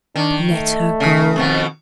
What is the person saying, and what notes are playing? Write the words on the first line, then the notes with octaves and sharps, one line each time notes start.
Let her go!'
D#3 D4
A3
C#3
F2 B2 D#3